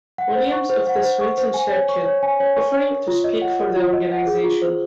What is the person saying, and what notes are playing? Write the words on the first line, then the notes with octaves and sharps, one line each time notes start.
Williams of the Swinton Circle offering to speak for the organisation.
F#5
C5
C#6
C5
F#5
C5
C#6
C5
G#5
C#5
C#6
C#5
G#5
C#5
C#6
C#5
A#4
F4
D#5
F#5
A#4
F4
D#5
F#5
G#4
F4
C5